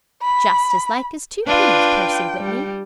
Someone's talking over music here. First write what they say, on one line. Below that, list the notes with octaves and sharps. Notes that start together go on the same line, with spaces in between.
"Just as like as two peas, Percy Whitney."
B5
D4 F4 B4 G5
G3